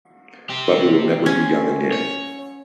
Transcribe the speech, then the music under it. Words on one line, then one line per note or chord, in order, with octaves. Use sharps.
But we will never be young again.
C4 G4
C#4
C#5